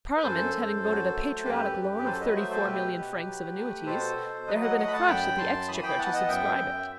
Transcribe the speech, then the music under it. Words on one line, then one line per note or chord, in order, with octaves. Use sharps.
Parliament having voted a patriotic loan of thirty-four million francs of annuities, there had been a crush at the Exchequer to subscribe it.
B4
F#2 A4 C5
F#2
F#3
A3
F#2 G4 B4
F#2
B4
F#3 A4 C5
B4 D#5
A3 C5 E5
A4 C5
B2 G4 B4
B2
F#3
A3
B2 A4 C5
B2
F#3 B4 D#5
D#5 F#5
A3 D#5 F#5
B5
F#5 A5
F#2 G5 B5
F#2 A5 C6
E3 B5 D#6
G5 B5
B3 F#5 A5
D#5 F#5
F#2 E5 G5
F#2